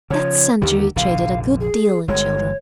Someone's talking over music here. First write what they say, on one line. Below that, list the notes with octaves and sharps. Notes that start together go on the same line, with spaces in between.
That century traded a good deal in children.
C#3 F3 C#5
D#2 D3 D#3 G4
F1 A#1 D3 F5
G#4
G1 G#3 C#5